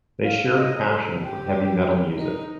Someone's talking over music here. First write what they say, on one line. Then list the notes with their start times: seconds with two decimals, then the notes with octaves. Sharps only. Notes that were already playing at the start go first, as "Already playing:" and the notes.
They shared a passion for heavy metal music.
0.25 F5
0.57 D#5
0.89 A4
1.22 G4
2.19 D#4